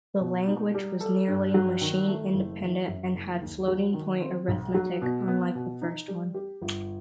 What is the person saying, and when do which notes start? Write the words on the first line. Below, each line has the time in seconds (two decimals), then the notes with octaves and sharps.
The language was nearly machine-independent and had floating-point arithmetic, unlike the first one.
0.20 B2
0.47 D#4
0.74 G3
1.00 A4
1.28 G2
1.54 F#3
1.81 D#3
2.08 A3
2.34 F#1
2.61 E3
2.88 F#2
3.14 F#1
3.41 D#2
3.68 F#3
3.94 D#3
4.21 C4
4.48 B1
4.74 F#3
5.01 B2
5.28 B3
5.55 B2
5.82 D#4
6.08 G3
6.34 G4
6.61 G1